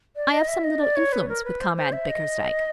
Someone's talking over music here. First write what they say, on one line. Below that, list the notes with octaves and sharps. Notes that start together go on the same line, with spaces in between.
I have some little influence with Comrade Bickersdyke.
D5
D#5
E5
D#5
D5
C#5
B4
A#4
B4
C5
C5
E5
D#5